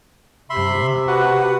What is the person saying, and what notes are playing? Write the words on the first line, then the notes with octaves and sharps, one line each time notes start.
And why?
C3 E5 B5 C6
F#4 B4